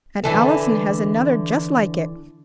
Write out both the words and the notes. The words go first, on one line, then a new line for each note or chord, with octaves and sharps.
And Allison has another just like it.
D3 E3 A4